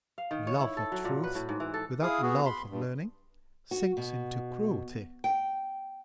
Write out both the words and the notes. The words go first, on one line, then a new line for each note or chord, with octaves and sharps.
Love of truth, without love of learning, sinks into cruelty.
F5
D#3
C#5
E4
A4
F#3
A#2
B4
A2
G#2
E3
A4
E4 G#4 F5 D#6
B3 F#4 G#4
B5 C6
G2
F#4
B2
G5